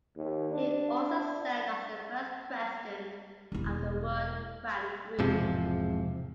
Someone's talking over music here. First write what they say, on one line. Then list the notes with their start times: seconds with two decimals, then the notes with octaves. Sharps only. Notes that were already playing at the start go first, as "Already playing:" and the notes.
He also served as the first President of the World Bank Group.
0.16 D#2
0.52 D4
3.52 E1 E4
5.19 E1 G#2 C3 F3